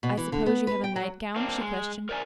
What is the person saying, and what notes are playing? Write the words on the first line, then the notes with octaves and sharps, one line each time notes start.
"I suppose you have a nightgown?" she questioned.
B2
E3
D3
B3
B4
G5
F#3
A#3 C4 D4
G#3
A#4 C5 D5 E5 G#5 A#5